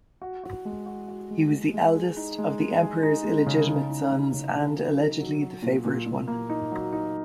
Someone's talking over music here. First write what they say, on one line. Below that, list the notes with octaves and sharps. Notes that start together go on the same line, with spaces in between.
He was the eldest of the emperor's illegitimate sons and allegedly the favourite one.
F#4
F#4
G#3
F#4
F#4
G#3
G#3
G#3
G#4
D#4
G#3
G#3
G#4
D#4
G#3
C#3
D#4
D#4
C#3
C#3
C#3
F#3
D#4
F#3
F#3
A#2
A#2
A#2
A#3
D#4
F#3
D#4